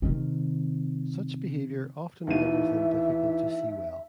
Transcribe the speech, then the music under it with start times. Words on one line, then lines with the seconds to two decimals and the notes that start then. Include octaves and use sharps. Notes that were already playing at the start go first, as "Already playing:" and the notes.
Such behavior often renders them difficult to see well.
0.02 C3 D#3
2.27 D#2 D#3 E3 E5 D#7